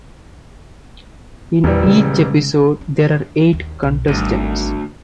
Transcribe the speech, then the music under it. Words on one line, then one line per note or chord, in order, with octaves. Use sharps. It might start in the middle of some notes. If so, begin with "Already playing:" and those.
In each episode there are eight contestants.
D#1 E2 E3 G3
C#3 G#3
D4
D#2
B1
G#1 D2 G3